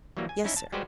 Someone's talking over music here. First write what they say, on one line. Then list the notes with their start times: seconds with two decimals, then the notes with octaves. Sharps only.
"Yes, sir."
0.17 E3 F#3 G3 A#3
0.29 G#5
0.44 C#4 D#4 E4 E5
0.57 A5
0.72 G3 G#3 F#4 G4 B4 C5